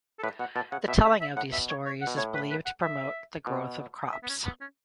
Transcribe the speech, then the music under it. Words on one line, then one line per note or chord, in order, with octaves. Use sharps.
The telling of these stories is believed to promote the growth of crops.
A4
A2 B4
B2 F#5
B2 A5
C#3 F#5
B2 E5
C#3 E5
E5
A2 F#5
B2 E5
C#5
C#5
F#5
B2
A2 C#5
B4
B4
F#5
E5
B2
E5
B3
C#4
B3
C#4